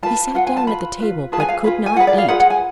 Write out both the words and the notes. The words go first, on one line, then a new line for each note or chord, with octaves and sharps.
He sat down at the table, but could not eat.
F4 B4 A5
F4 B4 F#5
G#5
A5
F4 B4 B5
F4 B4
F4 G#4 B4 A5
G#5
F5
F4 G#4 B4
G#5
F4 G#4 B4 F#5
D5
F5
F4 G#4 B4 F#5
F#5
G#5